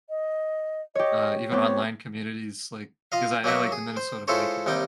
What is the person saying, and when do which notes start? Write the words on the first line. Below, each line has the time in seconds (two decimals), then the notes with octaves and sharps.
uh, even online communities, like, because I I like the Minnesota Vikings.
0.09 D#5
0.95 G4 C#5 D#5
1.51 B3 C4 G4 C#5
3.12 F4 D#5 F5
3.44 F#3 A#3 F#4 E5
3.72 G#4
3.97 C5
4.28 G#3 E4 F4 A4 C5 C#5
4.66 D#2 C3 G3 D#4 G5